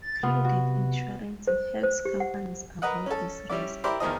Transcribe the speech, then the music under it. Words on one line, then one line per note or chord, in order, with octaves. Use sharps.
Credit insurance helps companies avoid this risk.
A6
C3 B3 F4
F#4
C5
C5
G4
F#5
A#4 B4 D#5 F#5
C#4 A4
G3 C#4 E4 D5
E4 G4 A#4 C5 D5 B5
E2 D#3 F3 D#5